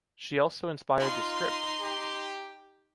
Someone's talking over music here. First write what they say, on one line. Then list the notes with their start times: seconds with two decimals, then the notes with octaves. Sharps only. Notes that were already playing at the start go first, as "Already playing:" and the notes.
She also inspired the script.
0.99 D#4 F4 C6
1.80 G4